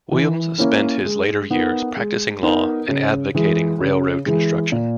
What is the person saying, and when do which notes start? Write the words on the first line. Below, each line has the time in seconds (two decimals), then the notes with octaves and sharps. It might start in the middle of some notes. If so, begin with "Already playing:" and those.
Williams spent his later years practicing law and advocating railroad construction.
0.12 E3
0.58 A#3 C#4 E4 A#4
1.05 G#3
1.51 B3 D#4 A#4
1.97 G#3
2.42 B3 D#4 A#4
2.88 C#3
3.35 E3 G#3
3.81 C#3
4.26 E3 G#3
4.72 A#2